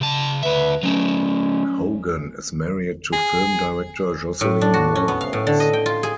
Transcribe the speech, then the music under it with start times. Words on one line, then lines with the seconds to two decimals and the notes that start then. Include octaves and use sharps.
Hogan is married to film director Jocelyn Moorhouse.
0.01 C#3 A5
0.43 D2 B4 E5
0.83 F#3 A3 C#4
3.13 G#4
4.41 A2
4.61 D4
4.74 F#4
4.95 C#4
5.08 B3
5.21 F5
5.33 A2
5.47 D3
5.60 D#5
5.73 G5
5.86 F4
6.03 G#4